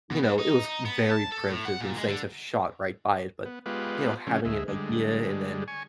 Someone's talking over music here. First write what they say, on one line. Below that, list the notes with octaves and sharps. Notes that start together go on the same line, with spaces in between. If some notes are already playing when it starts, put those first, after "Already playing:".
you know, it was very primitive and things have shot right by it, but, you know, having an idea and then
B2
G#2
D#4
D#4
B3
A5
A4
A2
F#5
A#2
G#3
D3
B3
G#3 B3 F4 G4 B4
C#3 F3 A3 C4 C#4
D2 G#3 E5
D3 G3 G#3
G#5 C#6